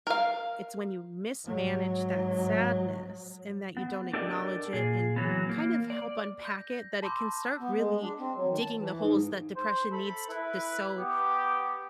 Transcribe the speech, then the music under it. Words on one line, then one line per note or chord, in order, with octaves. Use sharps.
it's when you mismanage that sadness, and that you don't acknowledge it, and kind of help unpack it, that it can start really digging the holes that depression needs to sow
A#4 F5
G#2 F#3
B3
D4 G4 A4 A#4 D5 D#5
A#2 G#4
E3 F#3 B3
A#3
D5
G6 A#6
A5 B5 C6 D6 E6 G6
B3
G#3
D4
C4
F#3
D#3
A5
E3
G#2
C5
A4 B5
E4 B4
B3 G4